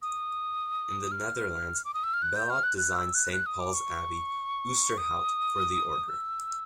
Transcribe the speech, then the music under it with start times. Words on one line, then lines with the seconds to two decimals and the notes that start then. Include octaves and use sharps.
In the Netherlands Bellot designed Saint Paul's Abbey, Oosterhout, for the Order.
0.02 D#6
1.11 F6
1.85 D6
1.94 D#6
2.04 E6
2.13 F6
2.22 F#6
2.36 G6
2.50 F6
2.63 F#6
2.78 F#6
2.96 E6
3.14 F#6
3.33 F#6
3.46 D#6
3.60 D6
3.74 C#6
4.98 D#6
6.09 E6